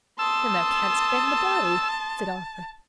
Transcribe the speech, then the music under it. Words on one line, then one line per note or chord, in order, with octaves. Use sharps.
"Then thou canst bend the bow?" said Arthur.
A5 C6 D#6 E6